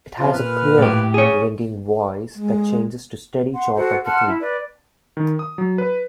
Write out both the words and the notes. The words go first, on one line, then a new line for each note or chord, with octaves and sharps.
It has a clear, ringing voice that changes to steady chop at the tree.
C3 F3 F4
A#2 B4 F6
A2 G4
G#4 C#5
G#3
F#5 C6
F#4 A4 C5 F#5
F#5 A5 C6 F6
E4
B4 D5
D#3
D#6
F#3
B4